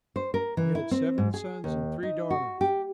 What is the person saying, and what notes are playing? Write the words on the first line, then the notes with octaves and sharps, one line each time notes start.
He had seven sons and three daughters.
C5
A#4
E3
E4
C4
G#2
G#4
D#2
D#4
F#4
G4